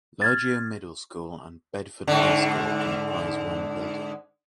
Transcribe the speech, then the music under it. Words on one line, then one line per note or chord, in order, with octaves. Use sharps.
Lurgio Middle School and Bedford High School comprise one building.
F6 G#6 A6
G#2 D3